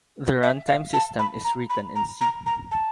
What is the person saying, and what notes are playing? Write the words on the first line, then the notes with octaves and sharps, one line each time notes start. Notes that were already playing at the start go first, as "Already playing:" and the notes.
The run-time system is written in C.
E5
F5
A5
B5
A#5
B5
A#5
A#5
A#5
A5